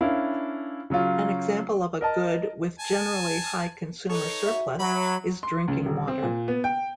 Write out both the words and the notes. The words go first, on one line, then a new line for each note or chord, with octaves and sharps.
An example of a good with generally high consumer surplus is drinking water.
C#4 D4 E4 A#4 F5
C#3 F#3 C#4 F4
A#4 D#5 A5
G#5 A5
D#4 A4 B4 C#5
F#4 E5
F#3 B5
C6
C#2
D#1
C4
A#2
B3
G5